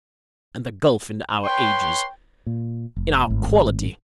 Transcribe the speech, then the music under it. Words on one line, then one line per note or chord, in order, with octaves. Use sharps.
And the gulf in our ages--in our quality!
B4 C#5 G5 C6
A#2
F1
G#1 A2